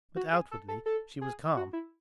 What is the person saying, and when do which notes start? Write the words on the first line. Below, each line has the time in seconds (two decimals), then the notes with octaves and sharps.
But outwardly she was calm.
0.16 F#4
0.33 G#4
0.51 A4
0.68 A4
0.86 A4
1.21 G#4
1.56 F#4
1.73 E4